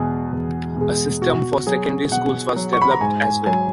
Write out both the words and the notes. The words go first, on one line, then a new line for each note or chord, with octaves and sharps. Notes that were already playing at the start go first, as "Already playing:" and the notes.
A system for secondary schools was developed as well.
Already playing: E2 B2 G#3 G#4
E2
B2 G#3
B2 F#4
F#3 G#4
B2 F#5
F#3
C#6
B5
A#5
G#2 G#5
G#5
F#3 G#5